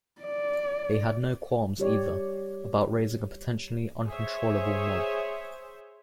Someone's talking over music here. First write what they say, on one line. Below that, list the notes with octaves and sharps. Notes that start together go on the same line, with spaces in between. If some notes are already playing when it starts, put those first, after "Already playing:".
They had no qualms, either, about raising a potentially uncontrollable mob.
D5
G3 G4 C#5 D5
G#4 C5 C#5 E5